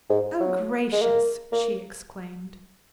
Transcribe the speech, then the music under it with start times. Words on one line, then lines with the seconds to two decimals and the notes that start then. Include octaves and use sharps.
"Oh, gracious!" she exclaimed.
0.10 G#2
0.40 F#3
0.92 G#3
1.02 A#3
1.52 A#3